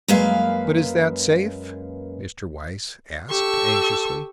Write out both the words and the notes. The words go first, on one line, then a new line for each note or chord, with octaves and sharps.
"But is that safe?" Mr. Weiss asked anxiously.
F#2 G#3 A#3 B4 F5
G4 A4 C#6 E6